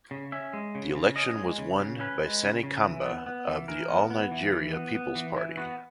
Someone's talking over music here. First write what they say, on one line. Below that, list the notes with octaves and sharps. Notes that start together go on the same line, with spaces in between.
The election was won by Sani Kamba of the All Nigeria Peoples Party.
C#3
C#4 E5
G#3
C#3
C#3
C#4 D#5
G#3
C#3
C#3
C#4 B4
G#3
C#3
C#3
E3
B3
B3
E3
E3 A#4
B3
B3
E3
E3
B3
B3
E3
E3 E4
B3 F#4